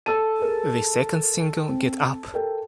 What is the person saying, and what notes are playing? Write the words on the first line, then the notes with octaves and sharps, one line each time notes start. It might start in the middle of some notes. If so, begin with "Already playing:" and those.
The second single Get Up!
A4 A5 E6 D#7
G#4 A#4
C4
A4 A#4 G5